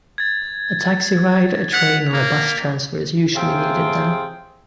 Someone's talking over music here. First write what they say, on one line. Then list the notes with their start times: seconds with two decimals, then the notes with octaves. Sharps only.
A taxi ride a train or a bus transfer is usually needed then.
0.18 G#6 A6
1.73 F#5 B6 F7
2.13 A#3
3.35 A2 C3 C4 F4 G#4 G5